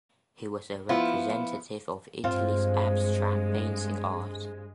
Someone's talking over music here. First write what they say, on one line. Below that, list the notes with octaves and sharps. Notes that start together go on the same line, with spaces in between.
He was a representative of Italy’s abstract painting art.
F3 B3 E4 F4
G2 G#3 C4 F4